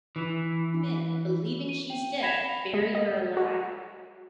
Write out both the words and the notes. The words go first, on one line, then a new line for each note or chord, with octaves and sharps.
The two men, believing she's dead, bury her alive.
E3
D#7
G5
B5 G#6 A#6 B6 E7 F7
G#3
D#5
F#4